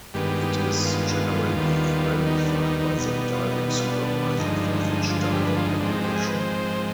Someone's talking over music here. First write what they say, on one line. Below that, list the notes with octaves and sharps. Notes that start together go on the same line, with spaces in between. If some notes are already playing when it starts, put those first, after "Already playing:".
It is generally verified by the diving supervisor for each diving operation.
G2 D#3 G#3 B3 G4
F4
D#2 D#3 G3 B3
D#4
D4
D#4
D#4
B2 G3 B3
F4
D#4
D#4
F4
D4
G2 D3 F3 G#3 D#4
F4
F4
G4
B4
F4
D#4
G#2 F3 G#3 C4 D4
D#4
G4
G#4
B4
C5